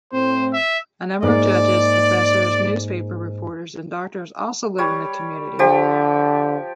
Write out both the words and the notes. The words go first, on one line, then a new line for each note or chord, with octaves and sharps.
A number of judges, professors, newspaper reporters, and doctors also live in the community.
A2 C4 C5
E5
G#2 A#3 D5
G3 C#5
D3 F3 G4